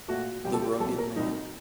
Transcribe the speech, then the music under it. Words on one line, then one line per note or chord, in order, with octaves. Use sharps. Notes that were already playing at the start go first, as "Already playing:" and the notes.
The Rugged Man.
A#2 A3 F#4
C2 C3 F#3 G4
A4
G4
C2 C3 F#3 A4
A#4
C2 C3 F#3 D#4